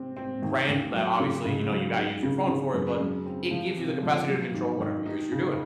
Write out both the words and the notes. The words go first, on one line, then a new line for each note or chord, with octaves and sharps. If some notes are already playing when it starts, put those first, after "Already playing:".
ran that obviously, you know, you gotta use your phone for it, but it gives you the capacity to control whatever it is you're doing.
Already playing: C3 C4
C4
D#2
D#2
F#3
C#3
C#2
F#3
D#4
C#3
C#3
F#2
F#2
C4
F3
C3
F3
F#3
D#3
D#3
D#4
C#3